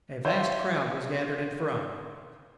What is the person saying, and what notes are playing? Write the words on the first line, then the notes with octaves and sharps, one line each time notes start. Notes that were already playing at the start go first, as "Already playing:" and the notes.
A vast crowd was gathered in front.
F4 C5 C#5 E5 F#5